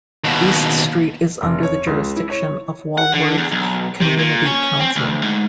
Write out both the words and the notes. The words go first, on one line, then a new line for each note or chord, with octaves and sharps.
East Street is under the jurisdiction of Walworth Community Council.
D#2 B2
F1
C#5
C#2
E4
C#5
F#5
D3
E2
B1
C3
A#2
C#4
C4
D2
G#2